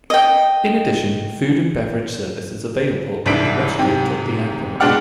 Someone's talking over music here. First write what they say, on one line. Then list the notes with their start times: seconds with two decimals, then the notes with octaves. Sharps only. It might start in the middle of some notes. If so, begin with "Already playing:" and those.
In addition, food and beverage service is available at a restaurant at the airport.
0.10 D#5 G5
3.26 C2 G#2 E3 D4 B6 D7
3.79 G#2 C3 G4
4.80 B2 G#3 D4 D5 F#5 F6